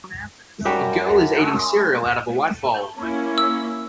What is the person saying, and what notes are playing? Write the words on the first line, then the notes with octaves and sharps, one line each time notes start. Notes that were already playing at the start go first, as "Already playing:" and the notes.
A girl is eating cereal out of a white bowl.
F#2 G3 F#4 G4
A#3 C#4 E4
E6